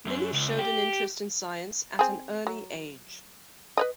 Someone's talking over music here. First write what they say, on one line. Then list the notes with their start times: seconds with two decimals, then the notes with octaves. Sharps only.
Lilly showed an interest in science at an early age.
0.06 F#2
0.33 C#2
0.59 G4
1.99 C4 G#4
2.47 F#3
3.77 B4 C#5 D#5